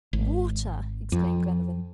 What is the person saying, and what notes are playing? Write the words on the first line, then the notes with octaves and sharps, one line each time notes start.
"Water!" exclaimed Glenarvan.
G#1
F2